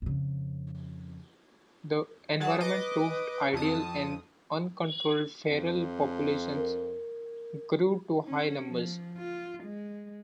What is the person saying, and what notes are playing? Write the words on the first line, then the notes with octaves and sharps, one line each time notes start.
The environment proved ideal and the uncontrolled feral populations grew to high numbers.
F2 C#3
F#3 G#4 F#5 A5
B4 D#5 D6
F2 A5 D#6
F2
A#4
C#4
F3
F4
G#3